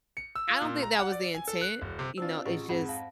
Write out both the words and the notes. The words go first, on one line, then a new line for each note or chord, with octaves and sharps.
I don't think that was the intent, you know? It's just,
C#7
E6
F4
A#2
A#5
F#5
D5
G#5
A4
F#6
D#1
C3
C4 D4 F4 E6 A6
A1 F4 G#4
F2 G#2 F#5 B5
F5 A5